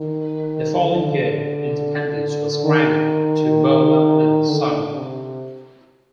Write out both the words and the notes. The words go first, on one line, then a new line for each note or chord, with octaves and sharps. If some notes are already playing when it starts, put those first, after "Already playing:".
The following year independence was granted to Burma and Ceylon.
Already playing: D#3
D3
D#3
D3
C3